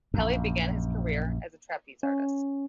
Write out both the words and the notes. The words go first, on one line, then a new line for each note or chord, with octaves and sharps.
Kelly began his career as a trapeze artist.
A#1 F#2
C#4